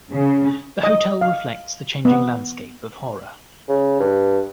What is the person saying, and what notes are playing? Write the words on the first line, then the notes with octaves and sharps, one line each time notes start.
The hotel reflects the changing landscape of Howrah.
C#3
D#5
F5
B3
C#3
G2